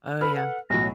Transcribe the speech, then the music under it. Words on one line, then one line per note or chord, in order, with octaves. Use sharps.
Oh, yeah.
A4 B4 B5 F6
F#5
B1 A2 F#3 A#6